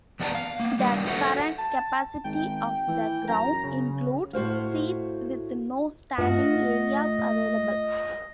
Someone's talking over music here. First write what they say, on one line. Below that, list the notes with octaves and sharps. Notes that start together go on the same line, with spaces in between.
The current capacity of the ground includes seats with no standing areas available.
E2 B3 D5 F#5 A5 A#5
F5
A#3 B3
G3 A#3 D4
F#4 A4 C5 C#5 E5 F#5
A5
G#1 G5
E3
F#2 A#5
C#3
A2 F#4 C5 F5
G2 A3 F4 D#5 F#5